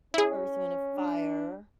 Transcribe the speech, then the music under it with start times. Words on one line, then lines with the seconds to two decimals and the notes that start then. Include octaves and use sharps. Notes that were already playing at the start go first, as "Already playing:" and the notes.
Earth, Wind& Fire,
0.14 C#4 E4 G#4
0.94 D4